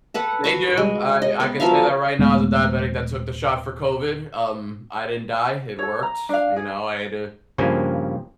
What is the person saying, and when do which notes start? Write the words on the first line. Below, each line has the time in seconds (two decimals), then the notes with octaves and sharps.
They do, I I could say that right now as a diabetic that took the shot for COVID, um, I didn't die, it worked, you know? I had to
0.14 A4 B4 F#5
0.44 F#4 B5 C#6
0.78 G#3
1.22 D#5
1.40 B3
1.60 F3 F#3 E5 F5
2.19 D#1 G#3 A3 B3
5.79 A4 C#5
6.03 A#5
6.29 D4 F5
6.56 G#4
7.58 G2 C#3 F3 A#3 C5 G#5